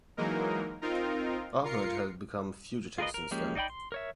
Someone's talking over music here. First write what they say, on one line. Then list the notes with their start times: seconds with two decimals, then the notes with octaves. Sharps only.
Ahmed had become fugitive since then.
0.17 E3 F#3 G#3 A#3 D#4 A#4
0.82 C4 D#4 F4 A#4
1.64 F4 A#4 C7 C#7
2.98 F4 G#4 A#4 B4 D#5
3.14 A#4
3.31 F3 G#3 A#3 C#4 G4
3.55 D#4 D5 D#5 G5 B5
3.70 C6
3.92 A#4 C#5 E5